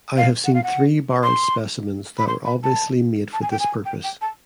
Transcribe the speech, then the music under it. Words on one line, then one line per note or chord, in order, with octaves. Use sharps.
I have seen three barrelled specimens that were obviously made for this purpose.
F5
F#5
F5
F#5
C6
B5
C6
B5
A5
A5
G#5
G5
G#5
G5
G5
A5